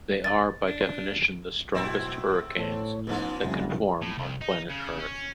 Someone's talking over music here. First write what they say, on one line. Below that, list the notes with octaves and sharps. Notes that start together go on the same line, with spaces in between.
They are by definition the strongest hurricanes that can form on planet Earth.
A6
D4
G#2 B2 F#3 C4 E4 E7
A2 A4 C5 C#5
G#2 F3 G#3 B3 C#4 D#4
F1 C2 C#3 G3 G4
A2
C2
D#4
C#3
C#4